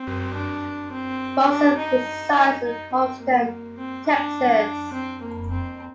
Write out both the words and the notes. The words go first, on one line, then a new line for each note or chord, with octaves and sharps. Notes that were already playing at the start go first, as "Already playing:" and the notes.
Fossum resides in Houston, Texas.
Already playing: C4
D4
C4
D4
D#4
D#4
D#4
C4
A#3
C4
D4
C4
A#3
C4